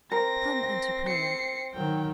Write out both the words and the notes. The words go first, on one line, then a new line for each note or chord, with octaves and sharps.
Come unto prayer!
C4 A#4 A#6
C7 C#7
D#3 F#3 G5